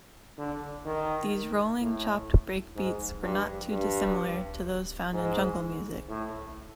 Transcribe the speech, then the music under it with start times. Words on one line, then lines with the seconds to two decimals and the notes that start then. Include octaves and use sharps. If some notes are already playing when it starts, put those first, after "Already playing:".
These rolling chopped breakbeats were not too dissimilar to those found in jungle music.
0.38 D3
0.85 D#3
1.81 A2
2.75 G#2
3.22 G2
3.71 G2
5.13 G#2
6.08 A2